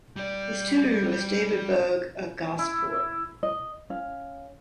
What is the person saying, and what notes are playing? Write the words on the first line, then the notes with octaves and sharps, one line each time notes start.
His tutor was David Bogue of Gosport.
G3 D5 G6
E4
D#5
C#4 F5